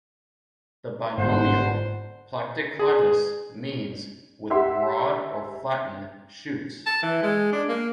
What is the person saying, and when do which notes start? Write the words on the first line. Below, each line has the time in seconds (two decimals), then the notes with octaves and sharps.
The binomial "Platycladus" means "with broad or flattened shoots".
1.18 G1 G#2 C5 F#5
2.79 G#4
4.50 G4 E5 F#5 C6
6.86 A5
7.03 E3
7.23 G#3
7.53 D4
7.69 A#3